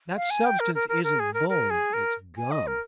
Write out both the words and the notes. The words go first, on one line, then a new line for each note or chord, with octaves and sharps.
That substance isn't bone, it's gum.
F5
G#5
G5
A#4
A#4
A#4
A#4
G#4
A#4
A#4
G#4
A#4
G#5
D#5
A#4